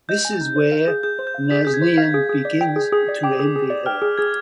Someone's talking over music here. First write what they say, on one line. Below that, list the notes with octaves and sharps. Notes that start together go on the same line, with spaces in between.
This is where Nazneen begins to envy her.
D#5 G6
G#5
D#4
C5
F5
G#4
G#4 G6
C5
G6
F5
G#4 B6
G#4 G6
G#6
C5
F5 G#6
G#4
G#4
D5
G5
G#4
G#4 D#6
D5
G5 D6
G#4 D#6
G#4
D5
G5 F6
G#4
G#4 G#6